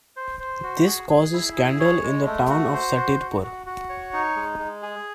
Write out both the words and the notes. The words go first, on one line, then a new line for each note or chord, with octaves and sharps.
This causes scandal in the town of Satipur.
C5
C5
F#4
G#4
G#4
E4
G#4
C#5
G#3
A3
F#4
C5
F#4
F#4
F#4
F#4
C#5
D#4
G#3
G#3
G#4